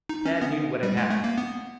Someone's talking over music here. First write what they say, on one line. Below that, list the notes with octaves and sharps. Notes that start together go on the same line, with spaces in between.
Tad knew what had happened.
D#4
C#4
B3
G3
G#3
A3
A#3
B3